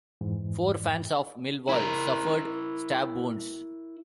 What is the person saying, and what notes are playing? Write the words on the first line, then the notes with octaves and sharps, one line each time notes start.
Four fans of Millwall suffered stab wounds.
F2 G#2 E3
E4 A#4